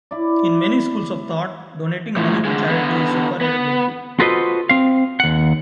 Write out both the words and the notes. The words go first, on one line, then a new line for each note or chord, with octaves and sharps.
In many schools of thought, donating money to charity is supererogatory.
E4 D5
A2 F3
D3 G#3
D3 B3
B3
F4 F#4 A4 B4 C5 D#5
C4 F5
D#2 F#5